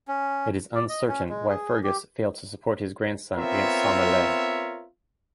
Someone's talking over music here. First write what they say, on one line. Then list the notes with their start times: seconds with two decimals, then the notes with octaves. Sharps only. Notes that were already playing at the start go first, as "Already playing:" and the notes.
It is uncertain why Fergus failed to support his grandson against Somairle.
0.08 C#4
0.75 D5
0.89 D#5
1.08 C#4
1.29 G#3
1.48 G#4
1.83 G4
3.36 B3 C4 F4 A#4 C#5 E5